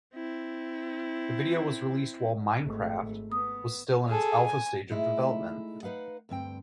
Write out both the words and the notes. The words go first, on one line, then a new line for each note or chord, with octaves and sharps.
The video was released while "Minecraft" was still in its alpha stage of development.
C4 E4
G#1 A3
B3 D#6
G#4 A4
G#5
G#3 A3 D#4 E4
D#4 B4 F5 F#5
D2 G2 C4 G5